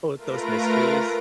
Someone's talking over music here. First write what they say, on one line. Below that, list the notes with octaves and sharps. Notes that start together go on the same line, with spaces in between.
all those mysteries.
A3 F4 A#4 B4 A#6 D7